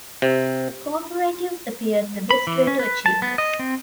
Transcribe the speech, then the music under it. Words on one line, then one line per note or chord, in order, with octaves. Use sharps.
Co-operatives appeared the best way to achieve this.
C3
B5
E3
C#4
B4
A5
B3
D#5
C4